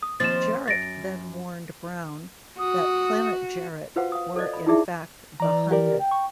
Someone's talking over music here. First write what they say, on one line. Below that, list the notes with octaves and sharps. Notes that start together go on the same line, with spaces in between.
Jarrett then warned Brown that Planet Jarrett were in fact "the hunted".
D#6
D#2 F3 C4 A6 E7
F#2 A6 A#6 D7
F#4 D#6
F4 F#4 B4 C5 F5 F#5
F5 D#6
A4 C5 D5 D#5
B5
D#4 E4 G4 G#4 D5 E5
E3 D5 A#5
G4 A#4 D5
G5
C#6